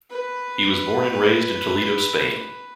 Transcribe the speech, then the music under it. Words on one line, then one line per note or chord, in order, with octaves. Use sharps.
He was born and raised in Toledo, Spain.
B4